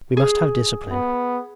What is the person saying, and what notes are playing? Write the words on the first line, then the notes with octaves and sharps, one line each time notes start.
We must have discipline.
G#4
B3